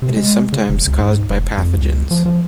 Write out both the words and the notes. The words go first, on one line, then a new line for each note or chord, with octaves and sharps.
It is sometimes caused by pathogens.
C3
G#3
C#3
F1
C#2
G#2
F1
F2
C#2
F3
F3